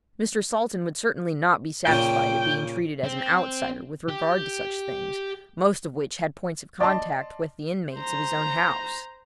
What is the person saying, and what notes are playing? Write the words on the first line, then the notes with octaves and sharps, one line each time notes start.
Mr. Salton would certainly not be satisfied at being treated as an outsider with regard to such things, most of which had points of contact with the inmates of his own house.
A#2 C#3 G5
C4
G4
D5 D#5 A5 C6
C5 A#5